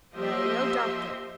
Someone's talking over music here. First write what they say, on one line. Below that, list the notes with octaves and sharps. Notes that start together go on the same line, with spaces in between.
No--no doctor.
F3 A#3 G4 D#5 E5 C6